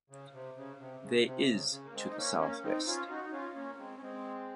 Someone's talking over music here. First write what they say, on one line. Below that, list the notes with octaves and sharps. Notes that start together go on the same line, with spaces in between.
There is to the South-West.
C#3
C3
C#3
C3
C#3
C3
C#3
C#3
A#3
G#3 C4
D#4
A#3 C#4
A#3 C#4
C4 D#4
C#4 F4
D#4 F#4
D#4
C#4 F4
A#3 C#4
G#3 C4
C#4
G#3 C4